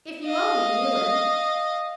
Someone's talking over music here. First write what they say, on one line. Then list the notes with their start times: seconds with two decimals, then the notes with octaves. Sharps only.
If you only knew him!
0.25 D#5 F5